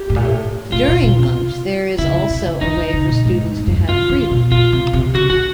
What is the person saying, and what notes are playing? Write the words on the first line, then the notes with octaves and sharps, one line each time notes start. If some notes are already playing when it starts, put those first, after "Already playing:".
During lunch, there is also a way for students to have free lunch.
Already playing: G4
A2
A#2
A2
A2 F4
A#2
B2
C3
C#3 E4
C#3
C3
C#3
D#3 D#4
D3
C#3
A#2
G#2
G#2
G#2
F#2
G2
C#3 F4
D3
B2
A#2 F4
C3
C3
C#3 F#4
D3 F#4